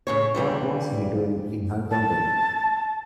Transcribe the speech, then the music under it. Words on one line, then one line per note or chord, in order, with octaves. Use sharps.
What was he doing in her company?
A2 C#3 C#5
D3 E3 G3 A#3
A5